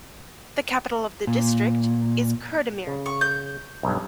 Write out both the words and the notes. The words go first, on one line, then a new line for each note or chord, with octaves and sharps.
The capital of the district is Kurdamir.
A#2
C#3
C#6
G6
B1 G2